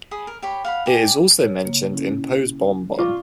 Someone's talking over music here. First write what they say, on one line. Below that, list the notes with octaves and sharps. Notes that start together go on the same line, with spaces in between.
It is also mentioned in Poe's Bon-Bon.
G#4 B5 D#6
A#4
G4 C#5 B5
F5 F#5 B5
G4 D5 G#5
C#5
C#3 A#3
C#4 E4
F4 C#6 D6